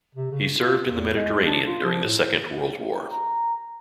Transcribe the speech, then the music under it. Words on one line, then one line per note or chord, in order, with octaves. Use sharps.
He served in the Mediterranean during the Second World War.
C3
C#3
F4
E2
G#3
D4
F4
F3
A2
A#5